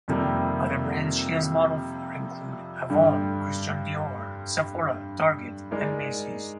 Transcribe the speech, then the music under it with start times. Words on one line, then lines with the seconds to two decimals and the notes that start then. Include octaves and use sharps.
Other brands she has modelled for include "Avon", "Christian Dior", "Sephora", "Target", and "Macy's".
0.08 F2 C3 D#3 G3 A#3
2.90 G2 D3 G3
5.71 G#3 D#4 A#4 D5